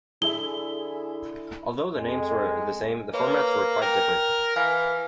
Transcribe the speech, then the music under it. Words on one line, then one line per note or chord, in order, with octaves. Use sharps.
Although the names were the same, the formats were quite different.
D3 E4 G#4 A4 E5 G7
F2 G#3
A#3 B4 C#5
A#4 G5
E3 F5 G#5 F6